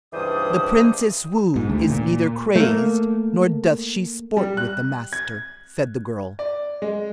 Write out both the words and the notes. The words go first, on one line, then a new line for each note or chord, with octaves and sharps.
"The Princess Woo is neither crazed nor doth she sport with the master," said the girl.
C#2 G2 E3 C5 D5 D#6
G#2
D2
A#2
A3 A#3
G3
F#6
G#6
D5
G#3